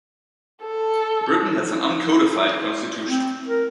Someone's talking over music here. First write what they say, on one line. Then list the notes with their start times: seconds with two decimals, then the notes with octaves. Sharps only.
Britain has an uncodified constitution.
0.62 A4
3.06 C4
3.48 A#4